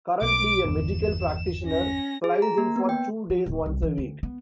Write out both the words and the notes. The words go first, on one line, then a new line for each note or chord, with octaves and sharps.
Currently a medical practitioner flies in for two days once a week.
B1 D6 D7
G1 E2 E7
C#4 A#6
G#4
A#5
A#3
B3
G5
F3
D1
C2
E3
D2
B3